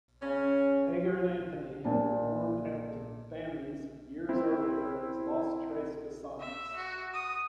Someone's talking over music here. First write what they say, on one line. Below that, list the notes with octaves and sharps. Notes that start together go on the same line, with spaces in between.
Hagar and Anthony had performed at the Bammies years earlier as Los Tres Gusanos.
C#3 C#4
A#2 D4
C4 E4
E5
F#4
D#6